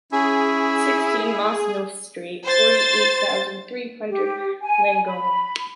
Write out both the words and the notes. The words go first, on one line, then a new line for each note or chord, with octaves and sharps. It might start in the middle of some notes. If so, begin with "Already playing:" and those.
Sixteen, Mas Neuf Street, forty-eight thousand three hundred Langogne.
C#4 E4 G#4
C5 A6
G4
G#5
B5